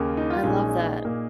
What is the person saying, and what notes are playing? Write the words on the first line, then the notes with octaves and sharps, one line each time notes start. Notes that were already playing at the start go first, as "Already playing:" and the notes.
I love that.
Already playing: D#2 C#3 A#3
D#4
F4
A#1 A#2 G#3 C#4 D#4 G#4
A#2 A#3